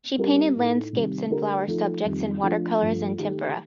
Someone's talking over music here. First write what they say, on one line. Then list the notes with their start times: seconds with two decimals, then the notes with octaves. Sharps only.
She painted landscapes and flower subjects in watercolours and tempera.
0.18 G3 C4 G4 A#4
0.56 A2 A3 D#4
0.93 C3 D#3 G3
1.29 D3 A3 D4 G4 A#4
1.67 F3 A3 D#4 A4
2.05 F2 D#3 G3
2.42 F3 A3 D4 A4
2.80 G2 F3 A3
3.17 D#3 A3 D#4 G4